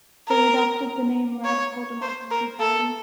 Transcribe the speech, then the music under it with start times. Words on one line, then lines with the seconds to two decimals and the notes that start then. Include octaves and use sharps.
They adopted the name Radical Democracy Party.
0.28 A#4
1.44 C#5
2.02 C5
2.31 A#4
2.60 A4